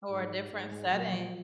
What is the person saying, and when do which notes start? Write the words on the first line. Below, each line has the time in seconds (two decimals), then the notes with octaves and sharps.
Or a different setting,
0.10 G#2
0.51 G#2
0.71 G#3
0.92 A#2 F#3
1.12 F3